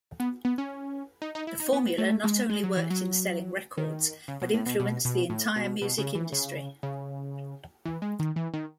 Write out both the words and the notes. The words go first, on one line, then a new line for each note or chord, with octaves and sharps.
The formula not only worked in selling records, but influenced the entire music industry.
B3
B3
C#4
D#4
D#4
E4
D#4
B3
A3
G#3
G#3
F#3
E3
F#3
D#3
C#3
B2
A2
B2
B2
B2
A2
B2
B2
C#3
E3
C#3
C#3
E3
G#3
D#3
E3
D#3